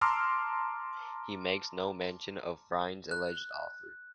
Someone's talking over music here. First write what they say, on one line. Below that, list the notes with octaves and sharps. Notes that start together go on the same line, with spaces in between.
He makes no mention of Phryne's alleged offer.
A5 A#5 C6 D6 E6 F6
F#6